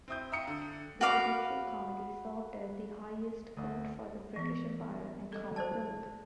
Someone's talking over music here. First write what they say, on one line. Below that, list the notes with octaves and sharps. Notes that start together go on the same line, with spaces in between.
The Judicial Committee served as the highest court for the British Empire and Commonwealth.
C4 E4 D#6 G6
E5 F5 G5 A#5 D#6 C#7
D3
F#4 B4 F5 D6
D2
E3 B3
A4 D#5
C5 D5 A5